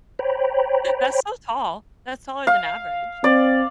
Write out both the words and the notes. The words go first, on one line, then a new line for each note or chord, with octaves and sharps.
That's so tall. That's taller than average.
C5 C#5 G5 A#5 B5
F5
C4 D5